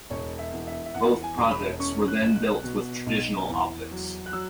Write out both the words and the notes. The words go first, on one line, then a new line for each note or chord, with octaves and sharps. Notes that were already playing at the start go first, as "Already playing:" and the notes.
Both projects were then built with traditional optics.
E1 C#5
E5
E2
E5
E5
E2 F#5
G#5
E1
B5
C#4 C#6
F#6
B1
F#6
B2
B1
E2
F#3
F#6
F#3 E6